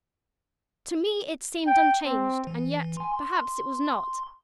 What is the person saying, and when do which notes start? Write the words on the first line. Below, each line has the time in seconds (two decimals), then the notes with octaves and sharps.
To me it seemed unchanged--and yet--perhaps it was not.
1.67 G5
2.05 C4
2.47 E3
2.97 G#5 C6
3.13 C6